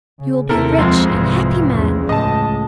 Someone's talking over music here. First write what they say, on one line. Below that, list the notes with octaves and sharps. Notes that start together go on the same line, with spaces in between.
You will be a rich and happy man!
C#3
D#2 C3 E4 A4 A#4
F2 G#3 C4
C2 G#2 E3
E2 C#3
C#2 A2 D#5 A5